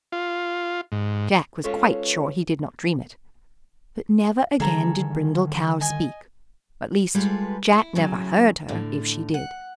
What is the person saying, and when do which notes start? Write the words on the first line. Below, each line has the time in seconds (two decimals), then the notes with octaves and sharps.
Jack was quite sure he did not dream it, but never again did Brindle Cow speak--at least, Jack never heard her if she did.
0.12 F4
0.92 G#2
1.64 G#3 C#4 F4 A4 B4 C#5
4.60 D3 D#3 G3 G#4 A4 A#5
5.81 D#5 G#5
7.15 G3 G#3 F4 A4 B4
7.73 E4
7.95 A2 C#3 F#3
8.68 A2 D3
9.34 F#5